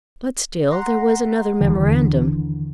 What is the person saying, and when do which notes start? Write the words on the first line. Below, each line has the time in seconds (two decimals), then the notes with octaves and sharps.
But still there was another memorandum.
0.70 F#5 A#5 C6
1.60 D#2 D3 E3